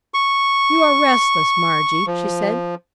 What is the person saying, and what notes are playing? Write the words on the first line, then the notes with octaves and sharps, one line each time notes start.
"You are restless, Margie," she said.
C#6
F3